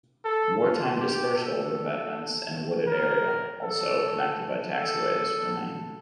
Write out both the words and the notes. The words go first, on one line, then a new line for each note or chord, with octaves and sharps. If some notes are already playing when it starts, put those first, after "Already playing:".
Wartime dispersal revetments in a wooded area, also connected by taxiways, remain.
A4
F4
G4
A4
A#4
A4
A4